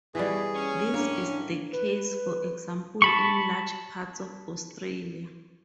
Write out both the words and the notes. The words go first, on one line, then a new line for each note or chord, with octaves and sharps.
This is the case, for example, in large parts of Australia.
B2 E3 G3 G#4
C#4
A2 A#3 D4
B4
A5 B5 C#6